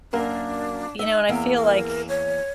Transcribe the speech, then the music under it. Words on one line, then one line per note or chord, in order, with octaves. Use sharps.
You know, and I feel like
F#2 A#3 D4 A#4
D#4 E5
E2 A#3 E5 A#5
A#4
C#5